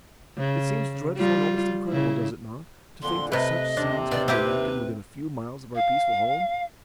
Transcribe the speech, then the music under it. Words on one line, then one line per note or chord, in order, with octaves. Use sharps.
It seems dreadful and almost incredible--does it not?--to think that such scenes can be enacted within a few miles of our peaceful home.
C#3
G3 F4
C#3 E4
F2 A#2 D3 C6
C3 A3 B4 D#5
D#2 C3 D4
B2 D5
C4 E4 G4 B4
F5